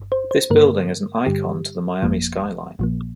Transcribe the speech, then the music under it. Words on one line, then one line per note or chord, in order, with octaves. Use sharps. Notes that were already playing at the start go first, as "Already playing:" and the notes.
This building is an icon to the Miami skyline.
Already playing: G1 G2
C5
C5
G2 D3 A#3 A#4
G2 D3 G3 G4
G1 F2 F3 A#3
A#1 A#2 F3 A#3